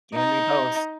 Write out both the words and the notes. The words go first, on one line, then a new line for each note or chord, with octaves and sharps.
You and me both.
D#4